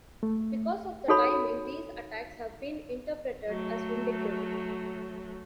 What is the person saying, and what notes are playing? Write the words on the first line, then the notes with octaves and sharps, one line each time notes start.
Because of the timing, these attacks have been interpreted as vindictive.
A3
D#4 F#4 A4 C#5 B5
F#3 A3